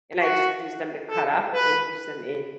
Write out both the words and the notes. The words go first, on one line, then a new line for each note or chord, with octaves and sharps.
and I just use them to cut up, and use them in
F#4
A4
B4